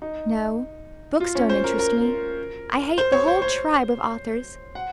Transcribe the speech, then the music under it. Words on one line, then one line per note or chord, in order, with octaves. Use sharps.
No; books don't interest me; I hate the whole tribe of authors.
D#4
F4
C#4
C5
A#4
A#4
C5
C#5
C5
C5
F#5